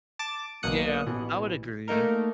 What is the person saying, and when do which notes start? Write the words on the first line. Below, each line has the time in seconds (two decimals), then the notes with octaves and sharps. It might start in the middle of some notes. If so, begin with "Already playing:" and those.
Yeah, I would agree.
0.19 A5 D6
0.63 B1 E2 A#3 D#6 F#6 C#7
1.07 A1 B2 E3
1.88 A3 A#3 D#4 A#4